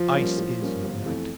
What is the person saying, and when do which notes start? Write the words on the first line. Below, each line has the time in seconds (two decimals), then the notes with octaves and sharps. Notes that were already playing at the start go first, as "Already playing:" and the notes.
Ice is night.
Already playing: F3
0.15 G3 A#3 C#4
0.38 A2
0.60 G3 A#3 C#4
0.83 G1
1.05 F2 E3 A3